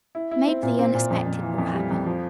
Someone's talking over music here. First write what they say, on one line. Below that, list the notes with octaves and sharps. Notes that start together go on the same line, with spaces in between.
"Maybe the unexpected will happen."
E4
E4
C4
A#2
C4
A#2
F2
F2
E3
F2
G3
F2
F3